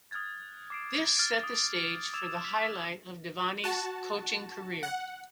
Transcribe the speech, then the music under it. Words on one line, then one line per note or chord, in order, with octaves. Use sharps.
This set the stage for the highlight of Devaney's coaching career.
D#6 F6 F#6 G#6 A6
D6 C7 D7
F6 A6 C7 D7
D#6
D6 E6 G#6 E7 F7
B6 F7 F#7
F#4 A5
F#5